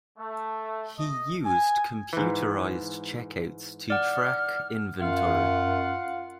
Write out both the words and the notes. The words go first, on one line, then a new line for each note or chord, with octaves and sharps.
He used computerized checkouts to track inventory.
A3
D#5
G#5
G#2 E3
D5 F#5 F6
F#2 F4 F5 F#5